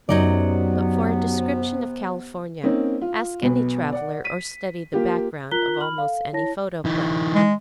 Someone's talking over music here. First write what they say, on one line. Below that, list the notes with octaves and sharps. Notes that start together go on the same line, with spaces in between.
But for a description of California, ask any traveller or study the background of almost any photoplay.
F#2 C3 F#3 B3 D#4 D5
A#3 C4 C#4 D#4
F4
B1 B2 B4
D5 F#5
B6 D#7
A#3 F4 G4
F4 A#4 A#5 F#6 B6 G7
B5 F6 F#7
A4 F5
E4 C#5 A5 A#6
E3 D#4
G#3